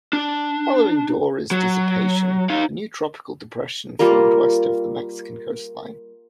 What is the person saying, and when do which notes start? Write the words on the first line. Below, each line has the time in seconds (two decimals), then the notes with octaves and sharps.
Following Dora's dissipation, a new tropical depression formed west of the Mexican coastline.
0.13 D4
1.51 F#3
2.50 D#4 F5
3.99 G3 A#3 F4 A#4